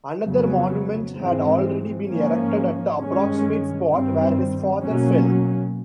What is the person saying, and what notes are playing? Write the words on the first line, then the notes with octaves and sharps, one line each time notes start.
Another monument had already been erected at the approximate spot where his father fell.
F2 C#3 F#3 B3
G#2 E3 G#3 C4
G#2 F3 A#3 C#4
G2 D#3 G#3 C#4
G2 D#3 G3 C4
B2 F#3 A#3 C#4